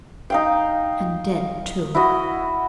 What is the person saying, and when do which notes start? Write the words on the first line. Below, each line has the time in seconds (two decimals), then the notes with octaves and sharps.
And dead too.
0.30 D#4 F5 G5
1.95 E4 F#4 D#5